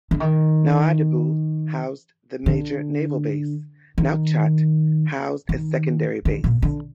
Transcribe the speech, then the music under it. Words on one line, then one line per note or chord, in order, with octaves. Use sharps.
Nouadhibou housed the major naval base; Nouakchott housed a secondary base.
D3
D#3
D3
D#3
D#3
D3
A#2
D3